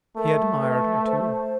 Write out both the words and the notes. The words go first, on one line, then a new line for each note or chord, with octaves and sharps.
He admired her, too.
A3 A#4
B4
C5